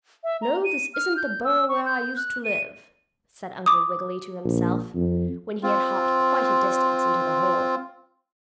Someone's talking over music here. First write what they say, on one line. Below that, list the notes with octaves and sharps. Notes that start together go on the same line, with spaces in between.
"No, this isn't the burrow where I used to live," said Uncle Wiggily to himself, when he had hopped quite a distance into the hole.
E5
A#5
D#7
F6
G6
E6
C#6
G6
F#6
D#7
D6 D#6
A#1
F2
C4 F4